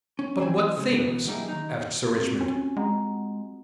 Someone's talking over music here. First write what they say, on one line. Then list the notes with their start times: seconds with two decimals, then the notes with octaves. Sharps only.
"But what things?" asked Sir Richmond.
0.19 C#4
0.39 E3 C4 A4 C5 F#5 G#5
0.77 C#3 G#3
0.90 D2 B2 E3 B3
1.27 F#3 G3 A#3 D#4 E4 G#4
1.48 D#3 D#4
2.10 C4 F4 F#4
2.41 C#4
2.77 G#3 F#5 A#5